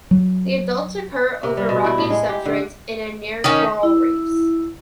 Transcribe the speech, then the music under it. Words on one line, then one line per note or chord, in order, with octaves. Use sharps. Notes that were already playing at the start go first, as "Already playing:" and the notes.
The adults occur over rocky substrates and in near coral reefs.
F#3
C3
G3
B2
E4
A2
G#3
G4
D3
D#3 C#4 D#4
E4